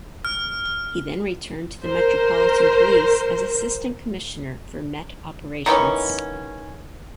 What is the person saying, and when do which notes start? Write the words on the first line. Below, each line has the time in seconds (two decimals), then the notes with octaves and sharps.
He then returned to the Metropolitan Police as Assistant Commissioner for Met Operations.
0.25 F6
1.84 A#4 C5
5.66 D#3 E3 B3 C#4